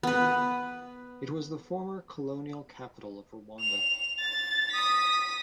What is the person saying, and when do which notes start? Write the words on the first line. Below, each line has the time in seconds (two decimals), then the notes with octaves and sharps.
It was the formal colonial capital of Rwanda.
0.03 B3 B4
3.60 F7
4.19 A6
4.72 D#6 B6